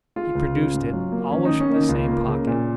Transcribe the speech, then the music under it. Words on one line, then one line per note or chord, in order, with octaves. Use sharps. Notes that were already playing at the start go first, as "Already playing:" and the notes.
He produced it--always from the same pocket.
G#3 F4
C#2
C#3
G#2
F#3
A#3
D#3 C#4
D#4
D#3
C#4
A#3
D#4
C#2 F4
A#3
C#3
A#2